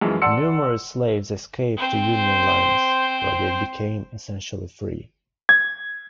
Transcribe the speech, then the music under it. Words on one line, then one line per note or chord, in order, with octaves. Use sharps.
Numerous slaves escaped to Union lines, where they became essentially free.
F#2 E3 F3 G#3
D5 F#5 A5 C6 E6 C#7
C4 C5
G#6